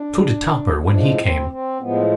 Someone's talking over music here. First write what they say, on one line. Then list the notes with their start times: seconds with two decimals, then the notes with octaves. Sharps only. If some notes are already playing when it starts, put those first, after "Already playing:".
So did Topper when he came.
Already playing: D4
0.85 A2 F3 G#3 D4
1.18 C4
1.50 C4
1.80 A2 F3 G#3 B3